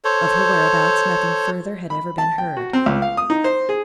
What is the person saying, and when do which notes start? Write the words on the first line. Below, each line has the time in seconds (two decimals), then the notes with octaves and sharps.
Of her whereabouts nothing further had ever been heard.
0.05 A4 C5 C#5
1.90 B5
2.18 A5
2.38 G5
2.57 F#4
2.73 C4
2.86 C#2
3.02 F5
3.17 D#6
3.30 D#4
3.44 C5
3.69 G#4